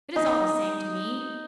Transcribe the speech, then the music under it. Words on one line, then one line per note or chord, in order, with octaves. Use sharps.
It is all the same to me.
D#4